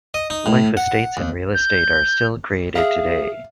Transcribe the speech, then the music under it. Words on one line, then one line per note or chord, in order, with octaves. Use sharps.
Life estates in real estate are still created today.
D#5
D#4
A2
F#5
D#2
G6
G#4 E5 F5